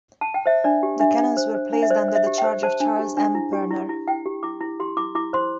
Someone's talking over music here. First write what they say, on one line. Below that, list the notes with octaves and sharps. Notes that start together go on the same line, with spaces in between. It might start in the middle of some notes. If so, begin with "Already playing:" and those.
The cannons were placed under the charge of Charles M. Pirner.
A5
G5
C5 E5
D4 D5
G4
D4 E5
D4
C5
C5
D4
E5
C5 D5
C5
E5
G4
G5
C5
C5 A5
D4
G4
D4
E4
G4
E4
E4
E4 G5
G4
E4 D6
E4
G4 C6
E4 D6
E4 D6
C5 C6